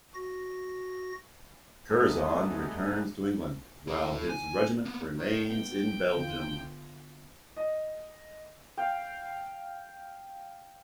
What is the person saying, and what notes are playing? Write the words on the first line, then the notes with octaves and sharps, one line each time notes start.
Curzon returns to England while his regiment remains in Belgium.
F#4 A#6
G3 A3 B3 D#4 G#4
E4 A4
G#5
A#3 B3
D#3
B3 D#4 G5
D3 B3 F4
D#5
F5 G5